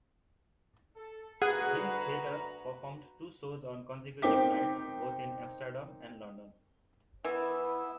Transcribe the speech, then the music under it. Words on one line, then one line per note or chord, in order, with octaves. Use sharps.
Dream Theater performed two shows on consecutive nights both in Amsterdam and London.
A4
D2 F#4 G#4 B4 F#5 A#5 F#6
C4 D#4 A#4 G5 D6 B6
E3 B3 E4 E6